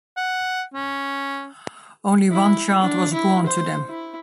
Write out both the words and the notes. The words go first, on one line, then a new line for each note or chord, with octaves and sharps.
Only one child was born to them.
F#5
C#4
E4
D4
E4
C5
E4